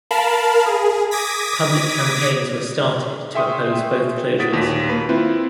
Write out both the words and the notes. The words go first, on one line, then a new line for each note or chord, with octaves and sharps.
Public campaigns were started to oppose both closures.
A#4 F5 A5 B5
G#4
D6 D#6 G#6 A#6 B6
G#4 E5 G5 C6 C#6 D#6
A2 F#4 D#6 A6 B6 D7
D#2 A#2
A#3 B4
C4 E4 F4 B4